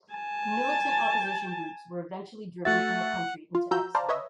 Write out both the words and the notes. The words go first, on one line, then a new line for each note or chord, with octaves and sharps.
Militant opposition groups were eventually driven from the country into exile.
G#5 A5
A3 F#4 E5 F#5 A6
F4
F3 F#4 A#5 E6 G6
C5 D5 F5 A5 A#5
B4 C#5 D#5 E5